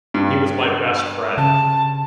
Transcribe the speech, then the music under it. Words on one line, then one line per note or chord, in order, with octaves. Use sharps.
He was my best friend.
G2
C#3 A5